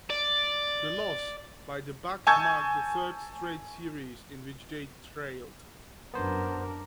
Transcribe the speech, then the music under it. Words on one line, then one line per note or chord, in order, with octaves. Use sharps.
The loss by the Bucks marked the third straight series in which they trailed.
D5
G#5 A5 C#6 E6 G6 G#6
F#2 B3 D4 A#4 C5